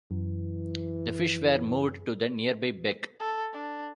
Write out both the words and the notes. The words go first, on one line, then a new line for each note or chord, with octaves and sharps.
The fish were moved to the nearby beck.
F#2 E3
A4
D4